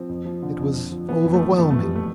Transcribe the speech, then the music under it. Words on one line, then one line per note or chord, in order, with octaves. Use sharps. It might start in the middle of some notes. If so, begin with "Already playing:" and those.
It was overwhelming.
Already playing: F3 C4
F2
F3
D3
F2
F2
F3
E3 B3
F2
A3
E3
F2 A3
E3 A3
G3
A3